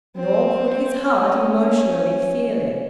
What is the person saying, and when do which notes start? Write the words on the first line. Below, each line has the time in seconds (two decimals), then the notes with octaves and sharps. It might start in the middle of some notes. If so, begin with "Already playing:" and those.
Nor could his heart emotionally feel it.
0.16 C4
1.01 C#4